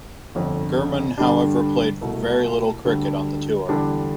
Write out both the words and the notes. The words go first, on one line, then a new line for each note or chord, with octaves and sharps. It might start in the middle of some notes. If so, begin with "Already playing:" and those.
Germon however played very little cricket on the tour.
G1 F2 D3
G2 D3 G3 D4
C2 B2 A3
D2 D3 G3 D4 A4
E2 D3 G3 D4